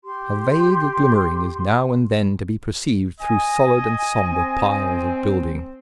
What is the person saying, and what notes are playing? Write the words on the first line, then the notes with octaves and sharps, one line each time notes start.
A vague glimmering is now and then to be perceived through solid and sombre piles of building.
G4 C6
D#5 G#5
C4